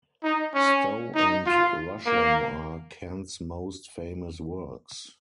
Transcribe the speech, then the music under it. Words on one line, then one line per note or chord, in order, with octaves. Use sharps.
Stowe and Rousham are Kent's most famous works.
D#4
C#4
D#4
F4
A#3